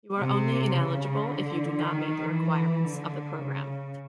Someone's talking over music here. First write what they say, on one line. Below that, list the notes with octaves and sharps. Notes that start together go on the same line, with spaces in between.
You are only ineligible if you do not meet the requirements of the program.
C3
C#3
D3
D#3
E3
D3
C#3